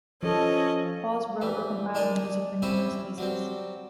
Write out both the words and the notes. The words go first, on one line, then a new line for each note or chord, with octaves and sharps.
Hawes wrote or compiled the music for numerous pieces.
F3 C#4 A4 D#5
E3 G3
D4 D#4 A#4 D5 D#5
G3 C4 C#4 E4 G#4
F#3 G3 C4